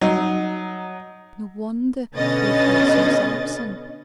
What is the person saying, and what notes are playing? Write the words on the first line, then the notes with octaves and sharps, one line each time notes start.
No wonder day calls me Sampson.
F#3 D#4
B2 D3 C#4 B4 D#5 A6